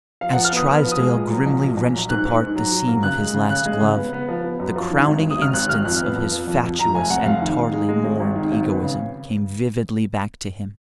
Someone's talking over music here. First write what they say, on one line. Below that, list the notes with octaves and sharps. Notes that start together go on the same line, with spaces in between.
As Trysdale grimly wrenched apart the seam of his last glove, the crowning instance of his fatuous and tardily mourned egoism came vividly back to him.
F3 F5
F#5
F3
F6
B3 D#6
B3
F3
D#6
G#3
A#2
F#3
A#1
A#2
A#1
F#3
G#2 F#6
G#2
G#2
F#3
F#3
A#3
C#3 F#6
G#3
C#3
C#3 F#6
G#3
C#3
B3
B3
F3
B3
F#2
F3
D#3
G#1
G#1
D#6
G#1 F6
G#1 F#6
G#1 F6
F2 F#6
B3
F2
F3
F2
F2
F2 A#5
F1 G#5
F1 F#5
F1 F5
D#3
D#3
G#3
G#3
G#1
G#1
D#3
G#1
B3
C#3